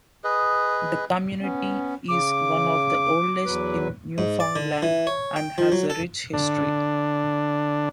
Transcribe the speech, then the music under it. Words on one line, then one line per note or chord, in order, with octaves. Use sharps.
The community is one of the oldest in Newfoundland and has a rich history.
G#4 B4 D#5
B3 C#4
C#3 D6
E2 F#3 B4
G#2
D5
D3
E3
C#5
G5
F3
F#3
A4
D3 D4